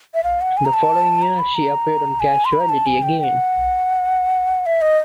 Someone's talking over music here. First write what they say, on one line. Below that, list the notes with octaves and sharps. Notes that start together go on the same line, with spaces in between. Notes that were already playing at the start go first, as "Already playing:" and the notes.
The following year, she appeared on "Casualty" again.
E5
F5
F#5
G#5
A#5
A5
A#5
B5
A#5
G#5
C6
B5
A#5
A5
G#5
G5
G5
F#5
E5
D#5